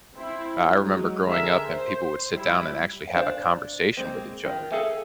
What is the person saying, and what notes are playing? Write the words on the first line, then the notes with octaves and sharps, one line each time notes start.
uh, I remember growing up and people would sit down and actually have a conversation with each other,
C4 E4
F#3 G#3 D#4
D3 G#4 A#4 E5 G#5
C5
G3 E4
D4 C5 F5
G#3 A#3 C4
D#3 F4
G#4 A4 E5 F5 G#5